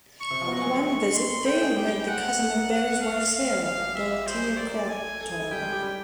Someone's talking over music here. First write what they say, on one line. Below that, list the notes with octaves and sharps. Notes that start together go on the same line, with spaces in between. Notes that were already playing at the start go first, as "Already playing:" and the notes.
On one visit, Dale met the cousin of Barry's wife Sarah, Dorethea Crathorne.
C#6
C3 C4
F3 F4
F#3 F#4 C#6
G#3 G#4
A3 A4
C#6
C6
A3 A4 G5
G#3 G#4
G3 G4 G5
G#3 G#4 F#5
A3 A4
A3 A4
A#3 A#4
A3 A4
G#3 G#4 F5
F5
G#3 G#4 F5
F#4
G3 G4
G#3 G#4 E5
G3 G4
F#3 F#4 C5
G#4
G3 G4
A4 D5
A#4
A3 A4
A3 A4 G#5
A4 G#5
G#4
A3 A4
G3 G4 G5
G#3 G#4
G3 G4
G3 G4